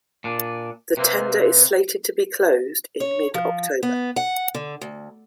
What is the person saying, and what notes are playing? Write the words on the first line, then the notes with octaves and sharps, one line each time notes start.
The tender is slated to be closed in mid-October.
A#2 D4
C3 A#3 C4 B4
C#5
F3
B3
F#5
D3
D2